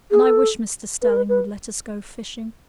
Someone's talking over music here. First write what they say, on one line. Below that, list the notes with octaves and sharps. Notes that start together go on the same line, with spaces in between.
And I wish Mr. Stelling would let us go fishing.
G#4
A4
B4
A#4
B4
B4